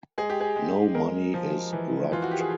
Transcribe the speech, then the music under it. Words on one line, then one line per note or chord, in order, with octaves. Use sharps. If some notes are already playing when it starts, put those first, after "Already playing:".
No money is robbed.
G#3 G#4
G4
G#4
G#3
G#3 A#4
F3
E3
E3 F4
F#4
G4
G#4